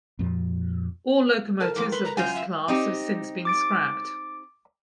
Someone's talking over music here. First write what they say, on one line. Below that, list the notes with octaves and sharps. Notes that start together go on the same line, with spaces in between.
All locomotives of this class have since been scrapped.
F2 A#2 F3
A4 A#4 A5 F6
A2 F3 D6
B4 C6
A#5
F#2 F4 G#5 G6
E5 F5
C4 D#4 G4
D6 A6 D7